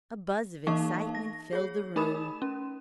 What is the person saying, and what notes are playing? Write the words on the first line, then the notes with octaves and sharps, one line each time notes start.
A buzz of excitement filled the room.
E3 A#3 D#4 F5 A5 C#6
A#6
G#4 C#5
A3 D#4 A#4 B5 D#6 E7
C#4